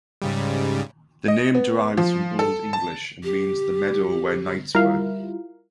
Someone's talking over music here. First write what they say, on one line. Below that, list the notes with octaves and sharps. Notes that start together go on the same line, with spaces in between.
The name derives from Old English and means the meadow where knights were.
G#2 C#3 G3
D#5
B3
F3
A4
A5
G4
G3 E4 F4 A#4 F5